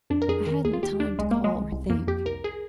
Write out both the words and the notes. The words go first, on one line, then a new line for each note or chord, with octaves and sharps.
I hadn't time to call or think.
F2 D4
A#4
F2 G#4
D#3 A#4
D#2 G#4
F4
D#2 G4
D#2 D4
C2 G#3
A#3
C2
G#3
C2
C2
F2 A#3
F2 G4
C2 A#4
G#4